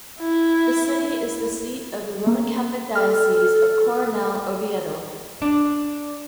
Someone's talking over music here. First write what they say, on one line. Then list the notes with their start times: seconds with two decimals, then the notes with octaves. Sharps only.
The city is the seat of the Roman Catholic Diocese of Coronel Oviedo.
0.19 E4
2.27 A#3
2.95 A4 F6
5.42 D4